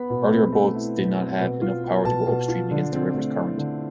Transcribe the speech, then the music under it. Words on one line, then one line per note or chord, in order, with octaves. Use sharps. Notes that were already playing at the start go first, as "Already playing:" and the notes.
Earlier boats did not have enough power to go upstream against the river's current.
Already playing: B3 B5
B2
C4
A3
E4
B2
C4
B2
F4
B3
B2 A5
B2
F4
D3
C4
A3
E4
D3